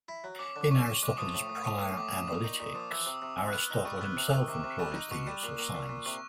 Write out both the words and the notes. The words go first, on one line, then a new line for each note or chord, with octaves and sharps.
In Aristotle's "Prior Analytics", Aristotle himself employs the use of signs.
E4
F#3
C#4 D6
D3
D6
C#4 C#6
C#4
G#3 D6
F3 D#6
A2
A2
A2 C#6
A2
C#6
A2 D6
A2
A#2 D#6
D#4
A#2
F3 D#6
E3 E6
C3
C3
C3
F#6
B3 F6
D#4
G3 C#6
B3
C3
D#3
C3 D6
C3
G3 C#6
D#4
B2 C#6
G3
A#2
A#3
A#2
A#2
C3 C#6